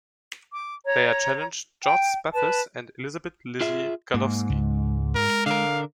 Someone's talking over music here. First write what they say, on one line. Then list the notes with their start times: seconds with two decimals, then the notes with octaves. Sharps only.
They are challenged George Spathis and Elizabeth "Lizzy" Garlovsky.
0.53 D6
0.85 C#5 A#5
1.85 G5
2.32 B4 A5
3.61 F4 G#4 E5
4.14 G#2 A#3
4.50 C#2
5.15 G#3 A#4
5.46 D3 A#4 F5